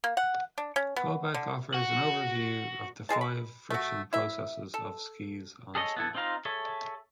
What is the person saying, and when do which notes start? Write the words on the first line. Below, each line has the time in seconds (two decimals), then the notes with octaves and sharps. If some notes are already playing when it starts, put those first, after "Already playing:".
Colbeck offers an overview of the five friction processes of skis on snow.
0.04 A#3
0.17 F#5
0.58 D4
0.76 C#4
0.96 B3
1.34 D3
1.74 F#4
3.09 D3 G#3 G#4 A5
3.21 B5
3.70 A3 F#4
4.13 E4 E5
4.74 A4
5.75 G#4 A4 C#5 D#5
5.96 B3 E4 A4
6.15 C4 D#4 F4 F5 A#5
6.45 G#4 A4 C#5 E5